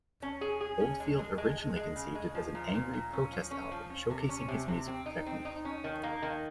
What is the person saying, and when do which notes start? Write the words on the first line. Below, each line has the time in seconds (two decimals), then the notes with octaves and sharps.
Oldfield originally conceived it as an "angry, protest album", showcasing his musical technique.
0.23 C#4
0.41 G#4
0.61 G#4
0.80 C#4
1.00 G#3
1.19 G#3
1.38 G#3
1.58 G#3
1.76 G#3
1.96 C#3
2.15 G#3
2.35 F3
2.55 A#2
2.74 A#2
2.93 A#2
3.13 C#4
3.32 F3
3.51 C#4
3.71 F3
3.90 C#4
4.10 C3
4.29 C#4
4.48 C3
4.68 C3
4.88 C4
5.06 D#4
5.26 C4
5.45 D#4
5.65 C#4
5.84 D#3
6.03 A#3
6.22 D#3